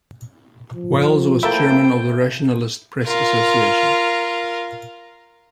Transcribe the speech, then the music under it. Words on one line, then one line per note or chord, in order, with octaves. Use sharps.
Wells was Chairman of the Rationalist Press Association.
F3
A3 A#3 E4 C5 E5 G5 A5
F4 A#4